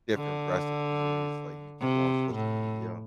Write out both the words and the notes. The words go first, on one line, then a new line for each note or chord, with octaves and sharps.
different recipes, like, you can go on social media
D3
C3
A2